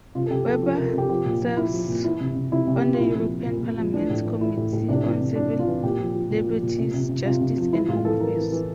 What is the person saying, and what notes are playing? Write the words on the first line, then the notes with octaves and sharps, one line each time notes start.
Weber serves on the European Parliament's Committee on Civil Liberties, Justice and Home Affairs.
C3 F4
A4
C3 G4
F3 A4
F3
A#4
C3
A4
C3 G4
F3 G4
A#2
F3
F3 E4
F3
A#2
E3 E4
C3
C3
C3 E4
C3
G4
C3
F4
A#2 E4
F3
F3
A#2
A#2
F3
E3 D4
A2
E3
E3 E4
A2
A2
C3 D4
E3
C3
E3 D4
C3
F4
E3
A#2 G4
F3
F3
A#2
F3
A#2
C3
C3
C3
C3 F4
C3
F3
E3 E4
A2 F4
E3 A4
E3 A#4
E3
E3